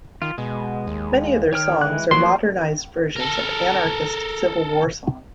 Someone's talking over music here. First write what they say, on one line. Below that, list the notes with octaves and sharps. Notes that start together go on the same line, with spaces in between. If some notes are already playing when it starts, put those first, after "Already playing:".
Many of their songs are modernized versions of anarchist civil war songs.
D#3 F4
B2 G#3
D#2
D#3 C#5 G5 F6
E3 G#3 F#6
F3 F#3 A#3 F#4 C6
A4 A#4